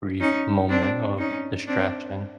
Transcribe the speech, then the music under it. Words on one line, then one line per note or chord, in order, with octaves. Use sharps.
brief moment of distraction.
C#4 D#4
C4 D4
C#4 D#4
C4 D4